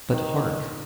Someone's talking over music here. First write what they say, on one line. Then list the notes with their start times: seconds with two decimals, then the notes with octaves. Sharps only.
But, hark!
0.11 D#3